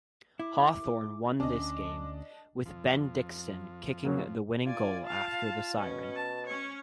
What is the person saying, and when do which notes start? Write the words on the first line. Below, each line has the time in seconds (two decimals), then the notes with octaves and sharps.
Hawthorn won this game, with Ben Dixon kicking the winning goal after the siren.
0.40 E4 D6
1.40 D2 C#4 D4 D#5 D6
2.66 F2 F3 C4
4.05 C#3 F#3 A#3
4.67 F4 D5 G#5
5.04 F5 A5
5.78 B2 C#4
6.16 A5
6.47 C#4 C#5